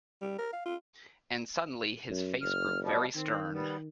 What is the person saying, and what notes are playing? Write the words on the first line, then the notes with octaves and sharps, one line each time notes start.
And suddenly his face grew very stern.
G3
A#4
F5
F4
F#2
F#1 F6
B2 F3 G3
D#3 C4
G3 B3